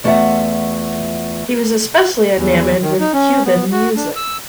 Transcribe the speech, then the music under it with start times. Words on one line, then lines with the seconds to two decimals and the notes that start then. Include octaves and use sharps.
He was especially enamored with Cuban music.
0.04 E2 A3 F4 D5 E5 F#5
2.37 E2
2.82 D#3
3.00 D#4
3.13 C#4
3.45 B3
3.71 F#4
3.96 D4
4.16 E6